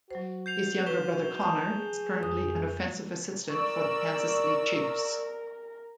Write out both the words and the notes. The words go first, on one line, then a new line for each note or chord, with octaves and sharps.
His younger brother Connor is currently an offensive assistant for the Kansas City Chiefs.
F#3 F#4 C5
G6 C7 F7
B4 C#6 E7 G7
A5 A#5 D#6
G#4
F2 D#6
A#4 D5 C#6 E6